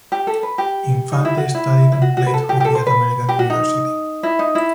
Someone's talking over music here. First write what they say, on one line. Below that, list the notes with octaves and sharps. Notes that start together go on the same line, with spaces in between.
Infante studied and played hockey at American University.
G4
A4
B4
G4
D#4
E4
F#4
E4
E4
F#4
F#4
B4
A4
G4
G4
A4
C5
B4
G4
F#4
D#4
E4
D#4
E4